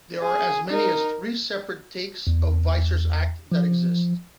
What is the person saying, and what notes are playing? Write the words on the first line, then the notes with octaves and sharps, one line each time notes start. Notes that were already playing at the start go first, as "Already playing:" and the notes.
There are as many as three separate takes of Visser's act that exist.
G#4
D#4 A#4
E2
F3